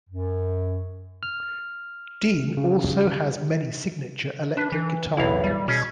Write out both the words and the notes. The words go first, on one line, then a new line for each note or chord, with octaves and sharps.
Dean also has many signature electric guitar models.
F#2
F6
C#3
D4 B4
E3
B1 E2 E4 F5
G3
B2 C#4 G#4